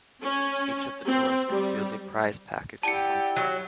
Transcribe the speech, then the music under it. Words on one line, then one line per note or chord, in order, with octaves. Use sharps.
Each of the doors conceals a prize package of some sort.
C#4
C4
G3
E4 G4 D5 F#5 G5 A5 C#7
F#3